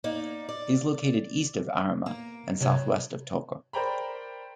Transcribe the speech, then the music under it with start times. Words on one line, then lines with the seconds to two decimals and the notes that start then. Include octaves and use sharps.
It is located east of Arima and southwest of Toco.
0.04 A#3 D#4 D5
0.49 D5
2.06 A#3
2.60 G2 C3 F#3
3.73 A#4 C5 D5 G5 A#5 B5